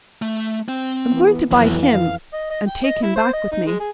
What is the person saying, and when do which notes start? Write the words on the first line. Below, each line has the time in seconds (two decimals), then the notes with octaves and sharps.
I'm going to buy him and take him back with me.
0.22 A3
0.68 C4
1.10 E3 B3
1.51 F2 E3 F#3 B3
1.83 F5
2.33 D#5
2.50 D#5
2.67 G5
2.84 D#5
3.03 E4
3.16 C5
3.33 D#5
3.52 D#4
3.66 G#3
3.80 G#4